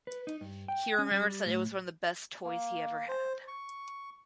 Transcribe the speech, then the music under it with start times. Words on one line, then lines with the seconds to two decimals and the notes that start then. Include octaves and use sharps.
He remembers that it was one of the best toys he ever had.
0.07 B4
0.27 D#4
0.41 G2
0.68 G5
0.99 C#4
1.11 G3
1.46 A2
2.44 A#3
3.08 C5
3.48 C#6